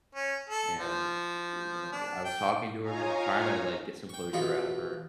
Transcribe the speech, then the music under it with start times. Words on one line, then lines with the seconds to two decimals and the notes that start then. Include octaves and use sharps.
and, y you know, I was talking to her for tryna like, get some closure out of her,
0.15 C#4
0.49 A4
0.78 F3
1.92 D4
2.25 G5
2.82 D#4 F4 C#5 F5 G#5 A#5
4.09 G5 C#6
4.33 A1 B2 F4 G#4 D#5 B5